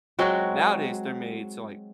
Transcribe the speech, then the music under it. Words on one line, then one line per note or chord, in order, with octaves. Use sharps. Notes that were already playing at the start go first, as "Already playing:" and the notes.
Nowadays, they're made to, like
F#3 G#3 C4 F#4